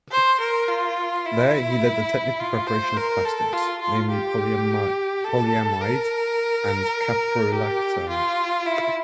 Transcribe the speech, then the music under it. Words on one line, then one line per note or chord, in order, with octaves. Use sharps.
There he led the technical preparation of plastics, namely polyamide and caprolactam.
C5
A#4
F4
E4
F4
C5
A#4
A4
F4
F4
G4
A4
A#4
G4
F4
E4